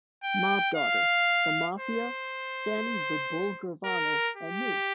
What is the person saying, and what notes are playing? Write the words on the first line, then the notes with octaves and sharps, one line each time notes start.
Mob Daughter: The Mafia, Sammy "The Bull" Gravano, and Me!
G5
F5
C5
A#4
G4